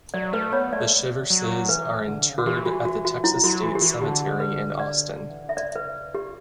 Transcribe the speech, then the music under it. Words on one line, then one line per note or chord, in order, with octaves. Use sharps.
The Shiverses are interred at the Texas State Cemetery in Austin.
F#3 D5
A3 B4
B3 C#5
A3 D5
F#3
E3 B4
D3
C#3
D3 F#4
E3 G4
F#4
F#4
F#4
F#3 E4
F#3 F#4
E3 F#4
G4
E3 F#4
D3 G4
B4
D5
E3
D3
E5
C#3 D5
B4
G4